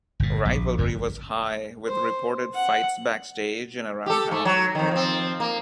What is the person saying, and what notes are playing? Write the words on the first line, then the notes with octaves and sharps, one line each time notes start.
Rivalry was high with reported fights backstage and around town.
G1 A#2
A#1
G1 F2
C5
F#5
G4 A4
G#2 A3
F#3
F2 D#3
F3 C4
A#3